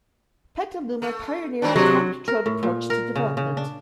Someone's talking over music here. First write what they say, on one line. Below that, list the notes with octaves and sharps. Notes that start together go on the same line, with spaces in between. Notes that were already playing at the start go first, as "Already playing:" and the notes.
Petaluma pioneered the time-controlled approach to development.
A3
D#3 F#3 C4 D4
C3 F#3 G#3 D4
A#4
A2
A#2
A#4
C#3
C#3
D4